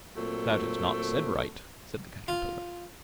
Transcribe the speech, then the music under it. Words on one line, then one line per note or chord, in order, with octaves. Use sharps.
'That is not said right,' said the Caterpillar.
A#2 F#3 A3 C4
F4